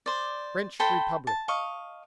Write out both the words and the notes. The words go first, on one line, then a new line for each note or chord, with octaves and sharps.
"French Republic."
C5 D5
A4 C5 G5 B5
A5
D#5 F5 C#6